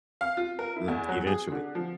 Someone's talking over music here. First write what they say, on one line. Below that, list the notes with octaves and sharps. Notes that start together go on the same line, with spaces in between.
Mhm. Eventually.
F5
F4
A#4
E4
E2
F#3
G#4
D3
F3